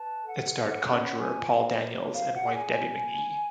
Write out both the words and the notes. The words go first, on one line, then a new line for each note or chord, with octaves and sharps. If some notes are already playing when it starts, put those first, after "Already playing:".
It starred conjuror Paul Daniels and wife Debbie McGee.
Already playing: B4 A5
A4 F#5
C#5
C#4 F#5
F4 G#5
F#4 F5
C#5
C#5
C#5
F4 F5
F#5
G#4
G#5